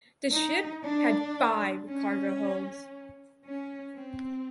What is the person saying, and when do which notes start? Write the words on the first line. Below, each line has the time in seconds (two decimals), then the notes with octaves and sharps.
The ship had five cargo holds.
0.34 D#4
0.86 D4
1.89 C#4
3.45 C#4
3.96 C4